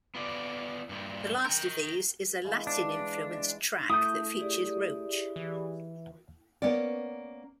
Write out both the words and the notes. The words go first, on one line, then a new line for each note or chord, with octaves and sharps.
The last of these is a Latin-influenced track that features Roach.
B3 F4 D5
G2 A#2
A#4 G5
E3 G#3 F4
D4
A3 E4 D#6 G6
G4 G#4 D5
E3
A#3 B3 C#4 D5